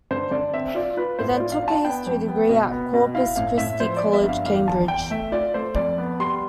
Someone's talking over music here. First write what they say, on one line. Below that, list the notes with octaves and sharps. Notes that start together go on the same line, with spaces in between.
He then took a history degree at Corpus Christi College, Cambridge.
D3 C5
D3 D5
C4 E5
F4 D5
F4 B4
A2 C5
F4 D5
F5
D4
A5
B3 G5
F2
B3
B2
B3
B2
E4 F5
A2 F5
A2 E5
F3 C5
D5
B3
E5
G2
F5
E2 F5
E2 A5
E2 G5
A3 E5
F4 D5
A3 C5
F2 D5
B3
G3 C6